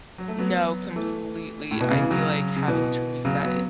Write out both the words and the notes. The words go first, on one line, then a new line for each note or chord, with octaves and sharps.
No, completely, I feel like having to reset i
F#3
A3
F#3 B3
E3 A3
A2
B2
C#3
E3
C#3 F#3
C#3
B2 E3
C#3 F#3
F#3 B3